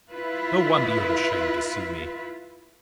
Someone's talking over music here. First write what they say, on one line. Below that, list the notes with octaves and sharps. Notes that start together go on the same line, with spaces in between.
No wonder you are ashamed to see me.
E4 F4 B4